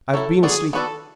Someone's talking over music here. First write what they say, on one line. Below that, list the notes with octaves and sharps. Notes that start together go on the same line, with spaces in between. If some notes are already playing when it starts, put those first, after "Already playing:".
"I've been asleep."
F#3 C#4 E4 A4
B3 F#4 G#4 A4 D5
B3 F#4 A4 B4 D5